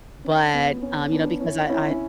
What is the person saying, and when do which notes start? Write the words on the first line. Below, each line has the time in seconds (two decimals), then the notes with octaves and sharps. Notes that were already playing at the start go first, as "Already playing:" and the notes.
but, um, you know, because I I
0.25 C#4
0.54 B3
0.82 C#4
1.12 B3 D4
1.40 C#4 E4
1.70 C#4 E4
1.91 C#4